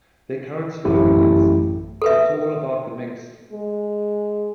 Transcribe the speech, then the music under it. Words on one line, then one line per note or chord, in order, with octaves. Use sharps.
Their current slogan is "It's all about the mix".
A1 F#2 A3 E4 G4
A4 B4 E5
G#3